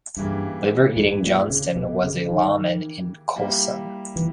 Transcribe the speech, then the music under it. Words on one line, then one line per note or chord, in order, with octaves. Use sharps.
Liver-Eating Johnston was a lawman in Coulson.
G2 C#3 E3 A#3 E4 G4
G#2
A#2
C#3
B2
C#3
D#3
G3 A#3 E4
E3